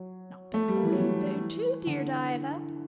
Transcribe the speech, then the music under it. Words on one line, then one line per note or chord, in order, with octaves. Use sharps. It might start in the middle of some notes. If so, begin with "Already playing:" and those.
Not been hoarding food, too, dear Diva?
Already playing: F#3
A3
G3
E3
F#3
E3
D3